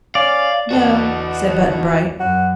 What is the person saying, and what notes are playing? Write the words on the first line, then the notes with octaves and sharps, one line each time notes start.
"No," said Button-Bright.
C#4 D5 F5
E2 B2 F#4 A4
F#2 F#4